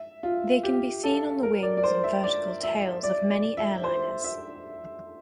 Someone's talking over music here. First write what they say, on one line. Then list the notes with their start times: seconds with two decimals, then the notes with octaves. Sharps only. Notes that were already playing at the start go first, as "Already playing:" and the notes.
They can be seen on the wings and vertical tails of many airliners.
Already playing: E5
0.23 F4
0.63 G4
1.03 A4
1.43 A#4
1.63 D5
1.77 D5
1.83 C5
2.04 E5
2.23 D5
2.63 E5
3.03 D5
3.30 D5
3.57 E5
3.84 C5
4.24 E5